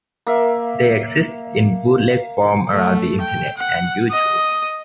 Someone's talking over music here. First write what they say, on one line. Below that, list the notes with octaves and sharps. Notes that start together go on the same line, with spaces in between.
They exist in bootleg form around the internet and YouTube.
A#3 E5
A3
G5
F#5
D#5